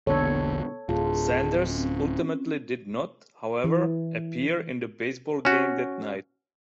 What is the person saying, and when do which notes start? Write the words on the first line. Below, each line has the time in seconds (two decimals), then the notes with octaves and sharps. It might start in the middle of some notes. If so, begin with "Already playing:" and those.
Sanders ultimately did not, however, appear in the baseball game that night.
0.07 E1 A#1 D3 B3 A4 C#5
0.89 D1 F4 G#4 A5
1.69 C4 C#4
3.64 E3
5.45 C#4 F#4